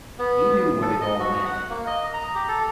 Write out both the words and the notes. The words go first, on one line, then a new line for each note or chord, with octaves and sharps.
He knew what it all meant.
B3
A4
D#5
F#4
F#5
A#3
D#5
A#5
G4
A4